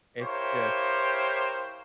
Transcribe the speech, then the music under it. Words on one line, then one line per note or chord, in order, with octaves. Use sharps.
it's just
E4 G4 A#4 C5 C#5 F5